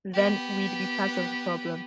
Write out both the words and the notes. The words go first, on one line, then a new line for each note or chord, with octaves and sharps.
Then we’d be part of the problem.
B3 G4